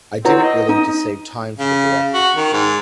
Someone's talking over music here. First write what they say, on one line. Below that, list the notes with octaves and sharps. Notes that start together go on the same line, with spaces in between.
I did it really to save time for the director.
C4 E4 B4 C#5 F#5
D#5
D#4 D#6
C#3
F#4
D#3
G#2